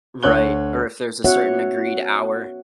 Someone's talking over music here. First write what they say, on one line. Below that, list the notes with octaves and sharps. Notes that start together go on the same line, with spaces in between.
Right. Or if there's a certain agreed hour.
D2 C#5 F#6 G7
B3 F#4 C#5 E5 F#5